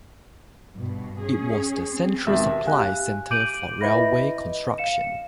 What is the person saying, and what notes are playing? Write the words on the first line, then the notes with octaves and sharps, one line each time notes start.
It was the central supply centre for railway construction.
G2 B2
C#4 G#4
C4
D#2 B2 G#3 E5
G4 F5 G#5 F#6
D6 G6 D7 D#7 F#7
E4 B4 D#5 E5 B5 A#6
D#5
F5 C#7 E7